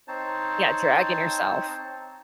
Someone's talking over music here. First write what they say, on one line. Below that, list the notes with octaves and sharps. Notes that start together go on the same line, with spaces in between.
Yeah, dragging yourself.
C4 D#4 C5 C#5 A5